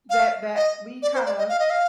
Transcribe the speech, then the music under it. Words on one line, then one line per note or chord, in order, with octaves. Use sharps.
that that we kinda
F5
D#5
D5
C5
D5
D#5
F5
D#5
F5